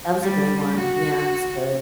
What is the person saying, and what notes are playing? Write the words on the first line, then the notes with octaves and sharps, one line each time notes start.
That was a good one, yeah, it was good.
G3
F#4